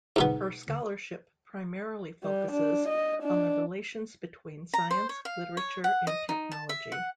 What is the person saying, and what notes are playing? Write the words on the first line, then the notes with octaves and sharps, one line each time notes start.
Her scholarship primarily focuses on the relations between science, literature, and technology.
G#2 B2 B3
G3
D4
D#5
D4
A#5
C5
C#5
F5
C#5
F#5
D#5
D#4
A5
E5
F#5